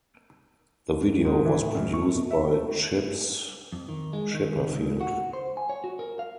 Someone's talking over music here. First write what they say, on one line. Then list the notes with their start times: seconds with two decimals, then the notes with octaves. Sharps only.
The video was produced by Chips Chipperfield.
1.25 G#2
1.45 E3
1.61 A2
1.75 F#2
1.93 C#6
2.15 B2
2.31 E5
2.47 A3
3.72 F2
3.88 D#3
4.13 G#3
4.34 D#3
4.74 C#2
5.01 F#4
5.33 C5
5.57 G#5
5.69 C#5
5.84 F#4
5.99 A#4
6.19 F5